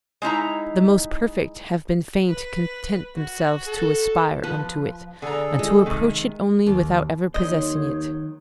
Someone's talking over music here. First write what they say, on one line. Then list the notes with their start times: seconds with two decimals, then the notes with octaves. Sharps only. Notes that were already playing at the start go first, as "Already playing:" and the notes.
The most perfect have been fain to content themselves to aspire unto it, and to approach it only, without ever possessing it.
0.22 G#3 D#4 E4 A#5
2.29 B4
3.15 F#4
3.67 A4
4.43 F3 B4
5.22 D3 G#4 A4 A#5
5.59 G#3
5.86 C3 D#3
6.66 D#2
7.34 D#2 D#3 F#3 C5 C#5 D#5